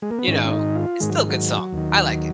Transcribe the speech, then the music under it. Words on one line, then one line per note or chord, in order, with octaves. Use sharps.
you know, it's still a good song. I like it.
G#3
A#3
B3
G#2 D#3 C#4
C#4
D#4
F4
G#2 D#3 G#3
F#3
F#3
D#2 D#3